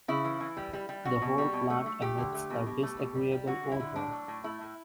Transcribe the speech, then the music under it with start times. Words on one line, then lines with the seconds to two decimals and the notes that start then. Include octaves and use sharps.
The whole plant emits a disagreeable odour.
0.08 C#3 E4
0.24 E3
0.40 E3
0.57 G3
0.73 G3
0.89 G3
1.05 B2 F#4
1.22 B2
1.38 G3
1.53 B2
1.70 A3
1.86 A3
2.02 A3 G4
2.18 D3
2.34 A3
2.50 B2
2.66 B2
2.83 A3
2.99 B2
3.15 G3
3.32 G3
3.47 D3 F#4
3.63 D3
3.72 E4
3.80 D3
3.96 A2 D4
4.12 F#3
4.28 A2
4.44 A3 E4
4.61 A2